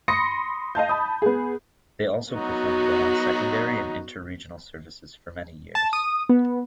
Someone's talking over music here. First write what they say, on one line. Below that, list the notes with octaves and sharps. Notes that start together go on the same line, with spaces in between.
They also performed well on secondary and inter-regional services for many years.
B5 C6 D#6 A#6 C#7
D#5 F5 A5 G6
A5 B5 D#6
B3 G#4
F#3 B3 D#4 F#4
A5
D#6
B3